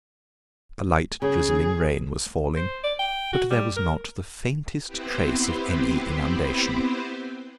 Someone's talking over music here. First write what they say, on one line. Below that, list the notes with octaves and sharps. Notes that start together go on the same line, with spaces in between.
A light, drizzling rain was falling, but there was not the faintest trace of any inundation.
C#3 G#4
C5
D5
G5
F#4
G3
A#4
B3 C4 E4 G4 B4 C5